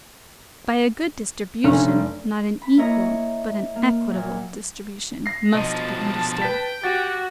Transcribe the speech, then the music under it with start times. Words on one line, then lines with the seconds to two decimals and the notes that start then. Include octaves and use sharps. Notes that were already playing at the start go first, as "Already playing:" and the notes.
By a good distribution, not an equal but an equitable distribution must be understood.
1.64 F1 C#4 D4
2.62 B5
2.78 A#3 E4 C#5 D#5 A#5
3.76 A#3
4.11 A#2 F#3
5.26 A#6 C7
5.55 B2 F3 D#5 A5 D#7
6.42 B4 G5 B6
6.84 F#4 G4 A6